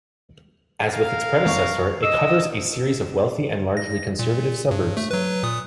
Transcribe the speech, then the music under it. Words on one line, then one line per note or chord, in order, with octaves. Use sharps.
As with its predecessor, it covers a series of wealthy and largely conservative suburbs.
A#4 F5
C#6
D#5 E6
A#6
A#2
G2
A3
F#3 B4
A#2 D#6